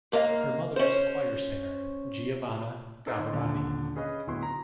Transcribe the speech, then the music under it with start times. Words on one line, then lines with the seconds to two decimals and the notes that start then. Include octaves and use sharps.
Her mother was a choir singer, Giovanna Gavirati.
0.12 G#2 A#3 B4 F5
0.76 C#4 C5
3.06 D4 D#4 A4 A#4 C5 C#5
3.19 D3 D#4
3.33 D#1 A#2 D3
3.96 C#4 G#4 B4 C#5 D#5 F5
4.27 D1 D2 B3 E4 B4 C6
4.43 A#5